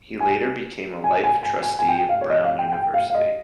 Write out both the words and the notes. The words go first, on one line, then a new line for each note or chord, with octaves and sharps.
He later became a Life Trustee of Brown University.
G#5
G#5
G#5
G#5
G#5
G#5
G5
F5
C#5
D#5
F5
G5
G5
F5
F5
D#5